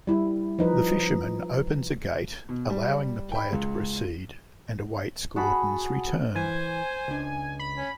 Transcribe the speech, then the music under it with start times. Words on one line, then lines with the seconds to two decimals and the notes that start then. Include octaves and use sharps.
The fisherman opens a gate, allowing the player to proceed, and awaits Gordon's return.
0.07 G3 E4
0.59 F3 D#4 B4
2.49 B2
2.70 G3
3.32 G5 B5
3.50 C#2 G#3
5.36 F#4 G#4 A5 B5
6.35 E3 C5 G#5
7.08 C#2 D4
7.59 B5
7.77 C#4